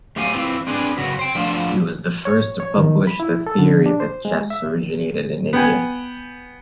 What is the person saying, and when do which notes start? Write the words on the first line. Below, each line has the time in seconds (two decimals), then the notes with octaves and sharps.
He was the first to publish the theory that chess originated in India.
0.16 F#2 A3 G4 C5 F5 G#5
0.34 E3 C4 F4
0.67 C4 D4 G#4 B4
0.97 F#2 C#3 F#4 B4
1.19 C5 G5
1.35 F3 A3 B3 D4 F4 C5
2.25 C#5
2.60 C#5
2.77 D#3
3.07 B5
3.20 E4
3.47 A4
3.58 D3
3.86 D4
4.00 C5
4.25 G#3
4.50 E5
5.53 B3 G5 G#5